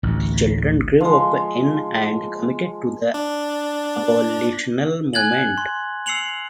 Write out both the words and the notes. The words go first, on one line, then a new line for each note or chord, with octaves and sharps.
The children grew up in and committed to the abolitional movement.
A1 D2
F3 G#3
D4
G#5 F#6 G#6 A6 F#7
C6
E6 C7 C#7 F7 F#7